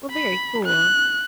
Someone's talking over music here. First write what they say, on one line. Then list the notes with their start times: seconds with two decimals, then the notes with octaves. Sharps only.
Well, very cool,
0.11 B5
0.66 F#6